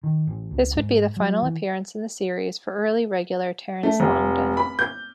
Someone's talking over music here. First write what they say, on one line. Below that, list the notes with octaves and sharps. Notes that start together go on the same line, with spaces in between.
This would be the final appearance in the series for early regular Terence Longdon.
D#3
A1
C#2
G#2
F#3
E3
A3
F1
B5
G6